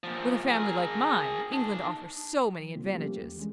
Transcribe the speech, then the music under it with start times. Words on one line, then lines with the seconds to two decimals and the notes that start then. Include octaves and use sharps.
With a family like mine, England offers so many advantages.
0.04 A#2 F3
0.48 G#4 A#4
1.52 D#4 A5
2.59 F3
2.76 C3 G3 A#3 C4 F4
2.94 F3 G3 A3 A#3 C#4 G4
3.16 E2
3.37 E3 G3 G#3 C#4